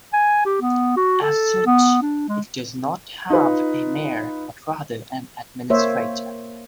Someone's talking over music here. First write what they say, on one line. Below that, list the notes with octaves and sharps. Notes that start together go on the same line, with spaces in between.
As such, it does not have a mayor but rather an administrator.
G#5
G4
B3
F#4
A4
B3
D4
G#3
D#4 F4 B4
A#3 C5 C#5 E5